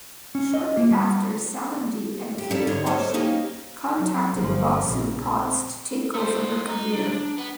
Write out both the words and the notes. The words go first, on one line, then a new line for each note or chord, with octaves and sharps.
Shortly after, Salandy and Kim Quashie contacted Boxu Potts to take over her career.
C#4
D#5
A#3
G3
G4
F#3 G3 A4
G#2 D3 C#5 D#5
A4 C5 C#5 D#5
A#3 C#4 D#4 G4
F#3
G1 F3
A#1 C#3
C4
A3 C5
D#5 A#5
D4
B3